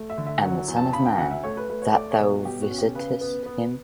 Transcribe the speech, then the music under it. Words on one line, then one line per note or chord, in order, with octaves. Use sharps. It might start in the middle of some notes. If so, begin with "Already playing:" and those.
And the son of man, that thou visitest him?
Already playing: A3
E5
D3
E5
F#3 F#5
E2
A5
C#3 B5
G5
D2 F#5
E5
A3 C#5
B4
A3 B4
C#5
A3 D5
C#5
B2
F#4
B2 G4
F#4
C#4
G4
C#3 B4
B3
B3